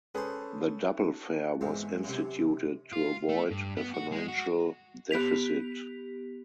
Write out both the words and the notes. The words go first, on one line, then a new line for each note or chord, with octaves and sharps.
The double-fare was instituted to avoid a financial deficit.
C#4 G#4 A4 B4 C5
E2 G#2 C4
F#2 C3
F4
A3
G2
B3
F#4
G#3
F#4
B3 G4 B6 F7